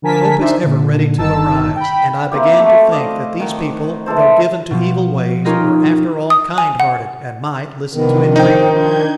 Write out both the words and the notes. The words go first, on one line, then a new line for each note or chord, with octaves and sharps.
Hope is ever ready to arise; and I began to think that these people, though given to evil ways, were after all kind-hearted, and might listen to entreaty.
D3 F3 A#4 G#5 A5 B6
D4 D#4 C5 E5
A#2 D3
G1 D#3 D#4 A5 E6
G5 B5
A#3 C4 E4 G4
A3 F#4
D5 D#5 F5
D#3 F#5
E3 G#3 A4 C5
B2 F3
C#4 D#4 F4 G4 A#4 D#5
D#6
G#5
F#5
C3 D#3 F3 B3 D4
D#4 C5 G5
F3 D4 G6 G#6